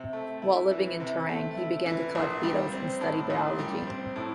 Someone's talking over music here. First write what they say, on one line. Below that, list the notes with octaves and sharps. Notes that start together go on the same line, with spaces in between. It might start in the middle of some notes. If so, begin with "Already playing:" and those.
While living in Terang, he began to collect beetles and study biology.
Already playing: C3
A3
E4
E3
C3
A3
E4
E3
A#1
G3
C4
A2
A#1
G3
C4
A2